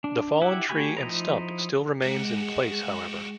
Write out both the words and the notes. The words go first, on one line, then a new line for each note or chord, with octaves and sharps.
The fallen tree and stump still remains in place however.
D4
E4 G4 E5 F#5
A3 F#4 G4 G#5 B5
F3 D#4 E4 A#5
G#3 F#4 G4